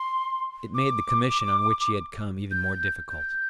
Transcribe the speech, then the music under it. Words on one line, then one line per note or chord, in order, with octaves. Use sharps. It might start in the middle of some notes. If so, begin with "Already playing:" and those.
It made the commission on which he had come even more difficult.
Already playing: C6
D6
G6
G6